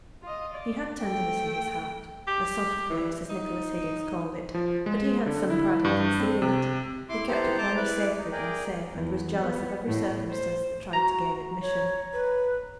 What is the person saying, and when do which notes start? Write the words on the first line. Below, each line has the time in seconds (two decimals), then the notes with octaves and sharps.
He had tenderness in his heart--'a soft place,' as Nicholas Higgins called it; but he had some pride in concealing it; he kept it very sacred and safe, and was jealous of every circumstance that tried to gain admission.
0.23 F4 D#5
0.54 D5
1.03 A3 G5
2.28 G4
2.90 E3
3.29 D#4
4.54 F3
4.86 G#3
5.26 D3
5.50 E4
5.85 G2
6.20 C4
6.42 C3
7.09 E4 C6 D6
7.28 B3 E4 G4 A4 C5 A#5
7.58 C4 A5 A#5 D6 G6
7.76 E4 B4 D5
8.18 D#4
8.32 G#4 A#4 D5 G5
8.93 E2
9.38 B3
9.87 A2
10.30 C5
10.93 F#4 A#5
11.61 C#5
12.13 B4